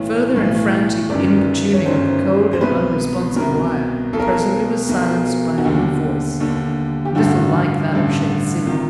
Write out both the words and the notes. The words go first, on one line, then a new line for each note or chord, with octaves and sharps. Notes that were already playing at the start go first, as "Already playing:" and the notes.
Further and frantic importuning of the cold and unresponsive wire presently was silenced by a new voice, little like that of Shaik Tsin.
Already playing: B1 A2 E3 C#5
B1 A2 E3
G1 F#2 D#3 D5
C#5
G1 F#2 D#3 C5
C5
C2 B2 B4
C2 B2 A#4
B1 B2 A4
A#4
A4
B1 B2
F#4
D#2 D3 G4
D#2 D3
G4
A1 G2 D3 F#4
A1 G2 D3
C3 D#3 F4